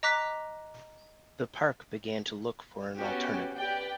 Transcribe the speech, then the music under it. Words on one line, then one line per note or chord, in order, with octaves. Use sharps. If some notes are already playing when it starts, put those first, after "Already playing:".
The park began to look for an alternative.
D#5 A#5 D6 F#6 B6
B3 C#4 F#4 G4
G4 B4 D5 G5